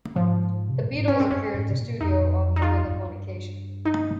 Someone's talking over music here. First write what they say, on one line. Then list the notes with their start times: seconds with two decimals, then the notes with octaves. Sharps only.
The Beatles appeared at the studios on more than one occasion.
0.16 G#2 F3
0.69 C3
0.82 A#2
0.95 G#2
1.08 G2 C#4
1.20 C4
1.31 G2 C#4
1.54 G#2
1.70 C3
1.78 A#2
2.01 F2 D#4
2.56 D#4
2.62 F4
2.85 F2
2.93 G2
3.85 D#4